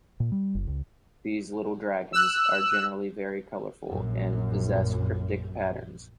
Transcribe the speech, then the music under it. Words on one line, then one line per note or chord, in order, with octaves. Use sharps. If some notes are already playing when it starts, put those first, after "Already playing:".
These "little dragons" are generally very colorful and possess cryptic patterns.
A#2
G3
F#1
C#2
E6 F#6
A#1 F#2